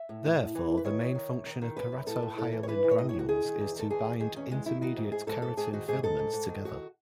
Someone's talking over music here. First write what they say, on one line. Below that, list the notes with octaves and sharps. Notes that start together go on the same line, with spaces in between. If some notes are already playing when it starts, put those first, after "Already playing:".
Therefore, the main function of keratohyalin granules is to bind intermediate keratin filaments together.
Already playing: E5
A2
A2
A2
E3
E3
B4
D#3 C#5
D#3
D#3
F#2
D#3
D#3
F#2 B4
F#2
A2 A4
A2
A2 A4
E3
C#5
E3 B4
E3
C#5
A2 D#5
C#5
A2
F#4
D#3 G#4
D#3
E2
D#3 A4
E2 G#4
E2
D#3 G#4
E2 C#4
D#3 G#3
D#3 E4
D#3 F#4
G#2
G#2 G#4
G#2 A4
G#2 A4
G#2 G#4
D#3 F#4
G#2 G#4
G#2 A4
G#2
G#2
D#3
G#2 F#4